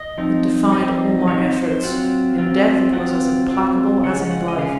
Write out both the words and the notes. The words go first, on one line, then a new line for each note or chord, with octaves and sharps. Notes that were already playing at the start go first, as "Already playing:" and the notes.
It defied all my efforts; in death it was as implacable as in life.
Already playing: D#5
F3 C4 D#4
F3 C4 D#4
F3 C4 D#4 C#5
C5
F#3 C4 F4 F#5
F#3 C4 F4
F#3 C4 F4 F#5
F#3 C4 F4
C#3 G#3 C#4 F4 F#5
F#5
D#5
C#3 G#3 C#4 F4 F5